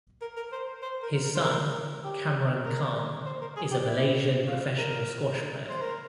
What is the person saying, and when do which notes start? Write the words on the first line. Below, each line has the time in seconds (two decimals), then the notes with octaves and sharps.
His son Kamran Khan is a Malaysian professional squash player.
0.21 A#4
0.37 A#4
0.52 C5
0.82 C5
1.02 A#4
1.23 A#4
1.35 C5
1.43 A#4
2.04 G4
2.65 A#4
3.26 C5
3.41 A#4
3.56 G#4
3.71 G4
3.87 E4
4.48 F4
4.78 A#4
5.69 C5
5.82 A#4